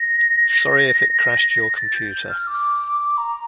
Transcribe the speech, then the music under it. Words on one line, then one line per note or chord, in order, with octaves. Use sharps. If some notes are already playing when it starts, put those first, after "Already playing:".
Sorry if it crashed your computer.
Already playing: A#6
A6
G6
F6
D6
A#5